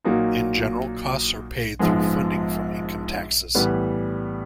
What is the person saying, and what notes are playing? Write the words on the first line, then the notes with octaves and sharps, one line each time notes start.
In general, costs are paid through funding from income taxes.
A#2 F#3 A#3 D#4
A#1 G#2 F3 G#3 B3
A2 E3 G3 B3